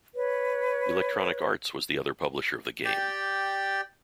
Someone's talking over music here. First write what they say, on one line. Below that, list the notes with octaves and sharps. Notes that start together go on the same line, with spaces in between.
Electronic Arts was the other publisher of the game.
B4 C#5
G4 D5 G5